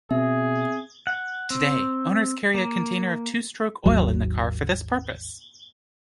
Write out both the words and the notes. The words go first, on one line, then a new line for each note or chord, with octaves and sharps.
Today, owners carry a container of two-stroke oil in the car for this purpose.
B2 C4 G#4 E5
F#5
C4
A#3
G#1 D#2 F#3